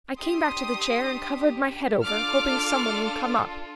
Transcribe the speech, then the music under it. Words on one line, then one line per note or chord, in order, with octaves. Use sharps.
"I came back to the chair and covered my head over, hoping some one would come up."
D4 G4 C6 D#6
D4 F4 A4 D6 F6